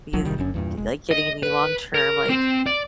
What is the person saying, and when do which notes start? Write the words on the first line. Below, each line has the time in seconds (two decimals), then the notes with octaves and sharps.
be, like, getting any long term, like,
0.13 D#1 B1 F3 F#3
0.25 F#1 C3 D#3 G3
0.38 F#1 F#2 D3 C#4
0.54 E2 G2 A#2
0.77 E1 G#3
1.11 D#5
1.43 B4
1.95 A#4
2.30 C4
2.66 D5